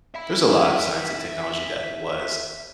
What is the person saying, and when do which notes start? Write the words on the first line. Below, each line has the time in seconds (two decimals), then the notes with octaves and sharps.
There's a lot of science and technology that was,
0.15 E5 B5